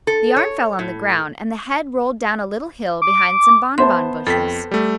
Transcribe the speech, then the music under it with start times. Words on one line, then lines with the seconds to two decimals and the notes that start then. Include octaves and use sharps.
The arm fell on the ground and the head rolled down a little hill behind some bonbon bushes.
0.07 A4
0.36 C#5
0.79 A2
3.02 D6
3.78 B3 C5 E5 A5 C6
4.27 F2 A4 G5 B6
4.71 G3 A3